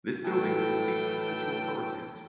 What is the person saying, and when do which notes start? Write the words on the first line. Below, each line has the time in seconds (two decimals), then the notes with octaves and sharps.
This building is the seat of the city authorities.
0.24 A2 E3 F#3 A4 G5